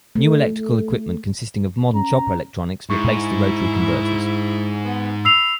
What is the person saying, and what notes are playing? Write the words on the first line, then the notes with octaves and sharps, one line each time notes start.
New electrical equipment consisting of modern chopper electronics replaced the rotary converters.
A3
C#4 A#5
G#2 E4 C#6
B3
B5 E6 C7 F7